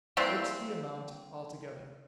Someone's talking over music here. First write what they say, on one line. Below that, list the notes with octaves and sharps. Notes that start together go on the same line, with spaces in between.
'What's the amount altogether?'
E3 G3 A#3 C4